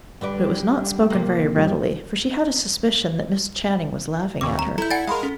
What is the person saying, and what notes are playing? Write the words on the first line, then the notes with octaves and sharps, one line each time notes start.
But it was not spoken very readily, for she had a suspicion that Miss Channing was laughing at her.
D3 G3 B4 D5
C3 A#3
G2 F3 G3
D#2 D#3 C4 D6
A#5
E4 A4 A#5 G6
D5 F#5 G#5 G#6 A6 C#7
G#3 A#4 F5 B5 C6
C#4 A4